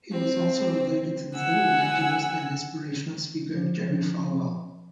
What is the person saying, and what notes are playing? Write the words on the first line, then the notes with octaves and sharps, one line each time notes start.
He was also related to the late evangelist and inspirational speaker, Jerry Falwell.
C4
F#5 G#5 E6
F3